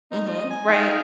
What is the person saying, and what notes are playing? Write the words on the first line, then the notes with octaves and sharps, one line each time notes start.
Mhm. Right.
D#4
D#5
G#5
D#4 F5 G5